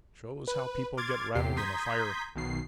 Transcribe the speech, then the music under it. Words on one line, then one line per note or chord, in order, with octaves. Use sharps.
Shows how people get rattled in a fire.
B4
C6 D6 F6 G#6 A6
E2 C3 G4 C7
A#5 C6 D#6 G6 G#6 B6
B1 B2 D#3 C7